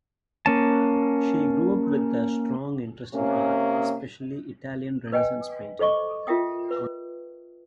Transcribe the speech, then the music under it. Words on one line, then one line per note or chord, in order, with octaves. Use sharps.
She grew up with a strong interest in art, especially Italian Renaissance painting.
A#3 C#4 A5
C3 A#3 C#4
B4 D#5 G5 G#5
A4 C5 D#5 C#6 D6
F4 A#4 E5 G5 D#6
B4